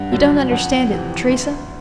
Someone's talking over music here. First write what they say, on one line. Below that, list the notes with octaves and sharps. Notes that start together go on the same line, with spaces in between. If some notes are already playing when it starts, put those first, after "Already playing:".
"You don't understand it, Teresa?"
Already playing: G2 F#5
D3 F#3
F2 F#5
C3 E3
D2